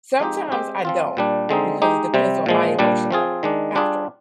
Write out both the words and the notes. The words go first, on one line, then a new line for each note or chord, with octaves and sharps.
Sometimes I don't, because it depends on my emotion level after
F3 G#3 C4 D#4 G4
G#3 C4 G4
F3 C4 F4
A#2 G3 D4
D3 G#3 C4 D#4
G#3 D#4 G4
C3 G3 C4
A#2 F3 G#3
A#2 G3 D4
F3 C4 F4 G#4
D#3 G#3 D4
G3 D4 F4 G#4